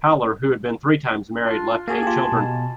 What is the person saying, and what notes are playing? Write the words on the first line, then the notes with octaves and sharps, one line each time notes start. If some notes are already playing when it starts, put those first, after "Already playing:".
Haller, who had been three times married, left eight children.
D4 F4
A#3 F#4 G#4 G#5 A5
F4 G4
B2